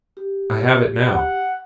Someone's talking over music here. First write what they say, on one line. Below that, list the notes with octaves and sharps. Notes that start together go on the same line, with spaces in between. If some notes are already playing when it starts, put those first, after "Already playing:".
I have it now.
G4
F#5